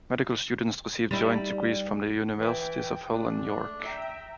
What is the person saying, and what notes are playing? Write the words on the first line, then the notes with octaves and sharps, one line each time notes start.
Medical students receive joint degrees from the universities of Hull and York.
G3 D#4 E4
E3 G5
A3 D4
E5 G5 A#5